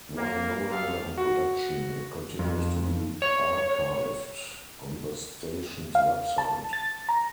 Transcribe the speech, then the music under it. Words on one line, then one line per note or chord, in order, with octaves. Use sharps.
While no longer in production, it continues to be archived on the station's website.
A#3
G4 A4 F5
F#4
F2
C#5
F5
A5
A6
A#5